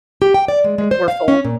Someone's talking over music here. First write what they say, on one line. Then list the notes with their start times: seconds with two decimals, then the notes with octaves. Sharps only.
Like, "We're full."
0.22 G4
0.34 G5
0.48 D5
0.64 G#3
0.78 G#3
0.91 C5
1.08 F5
1.28 C#4
1.45 A#2